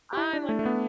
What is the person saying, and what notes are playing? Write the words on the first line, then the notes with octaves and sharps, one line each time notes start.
I like that.
G4
E4
D4
A3
A3
B3